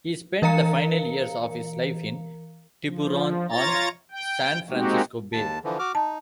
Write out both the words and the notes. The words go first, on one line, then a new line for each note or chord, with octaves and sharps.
He spent the final years of his life in Tiburon on San Francisco Bay.
E3 A#4 F5 A#5 C#7
F3
F4 C#5 A#5 A6
G5
G#3 A#3 C4 D#4 F#4 G4
D#2 A5
D3 E3 F3
F#4 D6 F6
D#4 A5